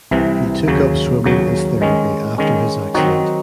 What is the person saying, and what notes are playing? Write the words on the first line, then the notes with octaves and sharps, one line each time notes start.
He took up swimming as therapy after his accident.
C2 C3 E3
D#2 C#3 F#3
D#2 C#3 F#3
D#3 G#3 C#4
D#3 G#3 C#4
D#3 F#3 C4 D#4 F#4